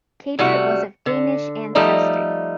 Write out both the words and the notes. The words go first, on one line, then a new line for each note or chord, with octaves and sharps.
Cater was of Danish ancestry.
C3 G3 A3 F#4
D3
F3 G3 A3 D#4 D5